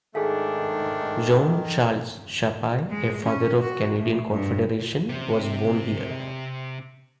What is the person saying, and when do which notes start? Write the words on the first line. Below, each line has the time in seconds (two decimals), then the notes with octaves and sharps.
Jean-Charles Chapais, a Father of Canadian Confederation, was born here.
0.15 G#2 D#3 A3 D4 G#4 A4 F5 G#5
2.89 G#3
3.23 C#4
3.61 F#4
3.98 A2
4.31 G2
5.09 C3 C4